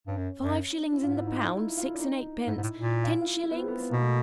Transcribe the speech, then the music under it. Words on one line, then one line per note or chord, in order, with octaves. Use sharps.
Five shillings in the pound, six and-eightpence, ten shillings?
G2 C#4
F#2
F#2
E4
G#2 F4
E4
D#4
E4
E4
E4
F4
E4
D4
D#4
G#2 E4
G#2
A2
A#2
F4
E4
F4
E4
B3
C4
B3
B3
B2 A#3
A3